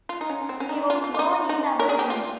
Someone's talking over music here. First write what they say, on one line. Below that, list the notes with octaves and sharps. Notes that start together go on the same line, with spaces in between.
He was born in Aberdeen.
F4
D#4
C#4
C4
C#4
D#4
F4
F4
F4
D#4
D#4
A#4
G#4
G4
F4